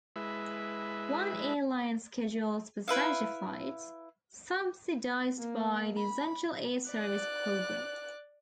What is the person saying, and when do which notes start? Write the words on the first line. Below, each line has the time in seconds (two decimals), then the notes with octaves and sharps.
One airline schedules passenger flights, subsidized by the Essential Air Service program.
0.16 G#3 E4 B4 E5
2.88 E4 B4 E5 F5
5.39 A#3
5.97 B5
6.90 D5 F#6